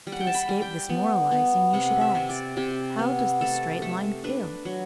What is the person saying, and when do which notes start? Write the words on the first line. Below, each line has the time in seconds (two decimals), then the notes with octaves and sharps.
To escape this moralizing you should ask, "How does the straight line feel?"
0.07 G3
0.12 F#5
0.20 G5
0.27 A5
0.34 B5
0.49 G3
0.62 G5
0.89 B3
1.31 B3
1.73 C3 F#5
2.01 E5
2.15 C3
2.29 D5
2.57 C3 G4
2.99 B3
3.41 A3 A4
3.82 A3
4.24 D4 B4
4.65 F#3